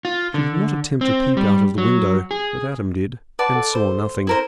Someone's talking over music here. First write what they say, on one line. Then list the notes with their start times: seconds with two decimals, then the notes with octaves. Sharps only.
She did not attempt to peep out of the window; but Adam did--and saw nothing.
0.05 F4
0.34 D3
1.01 C4
1.37 G3
1.78 F#3
2.31 G#4
3.39 B4 D5 F#5 A5
3.55 A4
3.75 C5
4.27 E4 A4 A#4 C5